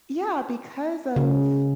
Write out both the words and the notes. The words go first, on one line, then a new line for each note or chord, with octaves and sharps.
Yeah, because of
C#3